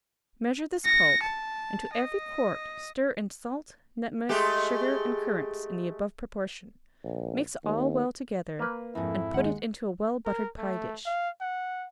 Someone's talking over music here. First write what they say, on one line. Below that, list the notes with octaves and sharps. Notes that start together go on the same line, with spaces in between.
Measure this pulp, and to every quart stir in salt, nutmeg, sugar, and currants in the above proportion; mix all well together, and put it into a well-buttered pie-dish.
A#6 C#7
A5
D#5
G#3 A3 G4
A#1
D#2
A#3 B4
F2 G#2 E4
D#2 G#3 F#5
A#4
A3
F5
F#5